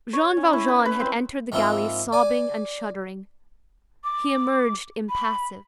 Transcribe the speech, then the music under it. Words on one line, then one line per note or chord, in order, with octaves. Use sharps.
Jean Valjean had entered the galleys sobbing and shuddering; he emerged impassive.
C#5
C#4
E4
B4
B4
C4
G#2 F3 A#3 C4 E4 F4
D5 G#5
D6
B5